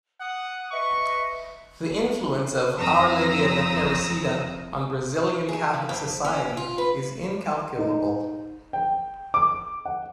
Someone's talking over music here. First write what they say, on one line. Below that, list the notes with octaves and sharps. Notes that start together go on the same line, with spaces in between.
The influence of Our Lady of Aparecida on Brazilian Catholic society is incalculable.
F#5 D#6
B4 D#5 E5 C#6
F2 C4 A#5 D#6 E6 A#6
G#4
C#3
F2
C#4
F4
B4
D#4
G5
D6
F#5